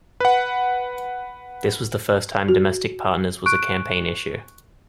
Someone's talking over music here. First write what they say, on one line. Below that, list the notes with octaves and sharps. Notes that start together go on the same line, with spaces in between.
This was the first time domestic partners was a campaign issue.
B4 F#5
F#4
C#6 F#6 D7